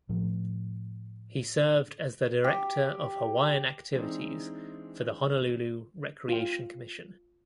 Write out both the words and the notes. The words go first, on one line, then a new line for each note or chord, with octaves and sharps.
He served as the Director of Hawaiian Activities for the Honolulu Recreation Commission.
A2 F3 A3
G4
E3 G#3 C4 D4 D#4
F4 G5